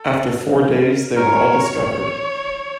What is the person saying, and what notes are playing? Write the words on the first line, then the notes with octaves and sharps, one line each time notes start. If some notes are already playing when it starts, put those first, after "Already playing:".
After four days they were all discovered.
Already playing: A4
A#4
A#4 C#5